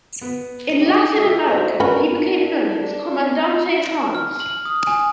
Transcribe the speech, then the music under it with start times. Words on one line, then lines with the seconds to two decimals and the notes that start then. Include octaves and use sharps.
In Latin America, he became known as "Commandante Hans".
0.22 B3
0.81 D#4 G4
1.17 A3 A4 D#5 E5
1.48 F#4 C5 E5
1.80 C#4 D4 F#4 A#4 B4
4.15 F6
4.40 F#7
4.65 D#6
4.87 G#5